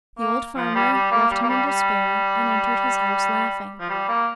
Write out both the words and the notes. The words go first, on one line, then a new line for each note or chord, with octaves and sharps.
The old farmer left him in despair, and entered his house laughing.
A#3
F3
G3
G3
A#3
G3
A#3
G3
G3
F3
G3
A#3